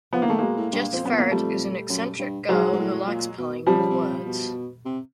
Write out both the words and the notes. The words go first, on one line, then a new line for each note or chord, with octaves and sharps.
Jess Ferret is an eccentric girl who likes playing with words.
F3 B3
A#3
D#3 A3
B2 G#3 A#3
A2
G2
F2 C4
F#2 B3
F2
A#3
F2 G3 A3
F#2
G2
G#2 F#3 G#3
G#2
A2
A#2
B2
C3 F3 G3
C#3
C3
B2
C3